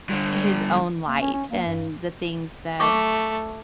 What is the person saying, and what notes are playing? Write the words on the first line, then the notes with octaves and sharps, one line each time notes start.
his own light and the things that,
G2 D3
A#3
C#4
C#4
A#3
G2
A3 C#6 D6